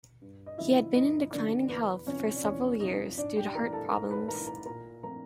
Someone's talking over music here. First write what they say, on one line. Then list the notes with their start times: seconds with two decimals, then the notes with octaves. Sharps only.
He had been in declining health for several years due to heart problems.
0.21 G2
0.46 D#5
0.58 D3 F3 A#3 C#4 E4 E5
0.95 G2 D#4 D#5
1.32 D3 F3 A#3 C#4 D4 D5
1.69 E2 B3 B4
2.06 C3 F3 C#4 C#5
2.35 D5
2.43 E2 C#4 C#5
2.80 C3 F3 D#4 D#5
3.17 G#2 D4 D5
3.37 G4 G5
3.54 E3 A3 A#4 A#5
3.73 A4 A5
3.92 G#2 A#4 A#5
4.11 B4 B5
4.28 E3 A3 A#4 A#5
4.47 A#4 A#5
4.66 A#2 A#4 A#5
5.03 F3 A3 C4 A#4 A#5